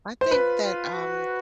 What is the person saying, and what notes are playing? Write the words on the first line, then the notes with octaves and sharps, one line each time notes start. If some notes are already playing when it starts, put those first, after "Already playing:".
I think that, um,
C5
F4 B4
F4
F#4